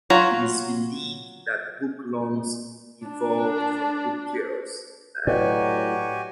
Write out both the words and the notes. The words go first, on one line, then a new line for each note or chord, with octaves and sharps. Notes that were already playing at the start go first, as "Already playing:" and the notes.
It is believed that book lungs evolved from book gills.
F#3 F4 F#4 C#5 A#5
D4
A2 F#3 F#4 G4 B4 D5 D#5 G#5